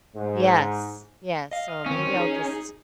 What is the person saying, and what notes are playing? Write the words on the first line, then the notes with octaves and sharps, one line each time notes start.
Yes, yes. So maybe I'll just
G#2
D#5 F5
D#3 C4 C#4
D#4 G#4